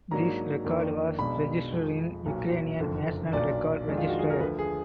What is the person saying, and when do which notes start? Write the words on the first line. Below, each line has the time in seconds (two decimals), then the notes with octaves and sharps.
This record was registered in Ukrainian National Record Register.
0.11 G#2 F#3 A#3 D4 A#5
0.64 F2 D#3 A#3 D4
1.19 B1 B2 G#3 D4 B5
1.72 F2 F3 G#3
2.26 B1 A#2 F#3
2.80 F#1 F2 D3
3.33 B1 A#2 F#3 D4 D5
3.87 F2 D#3 G#3 D4
3.97 F4
4.08 F#4
4.19 G#4
4.30 A#4
4.40 D2 D3 F3 B4
4.59 G#4